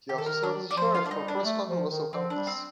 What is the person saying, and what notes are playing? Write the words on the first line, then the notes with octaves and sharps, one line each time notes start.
He also served as sheriff for Prescott and Russell counties.
D#3 G4
A4
A#4
D4
D5
F3 C5
F4
D4
G3 D#4
D4
G3
A3
F3
D#3
F3 C4
D4
G3
C4